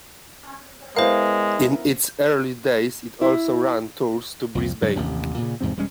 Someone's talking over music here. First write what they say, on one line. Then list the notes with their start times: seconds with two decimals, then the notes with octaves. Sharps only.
In its early days it also ran tours to Brisbane.
0.96 G#3 B3 E4 A#4 C5 F5
3.22 E4
4.55 C2 F2
4.82 G2 C#3 F#3
4.96 A1 D#2 C3
5.38 A#2 C#3
5.61 E2 G#2 C3 C4
5.77 E1 G3 G#3 C#4